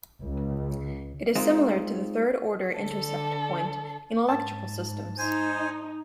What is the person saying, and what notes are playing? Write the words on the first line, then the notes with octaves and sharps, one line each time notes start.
It is similar to the third-order intercept point in electrical systems.
C#2
G#3 C4 D#4 F4
D3 A4
G#2 A5
D#4 C5 G#5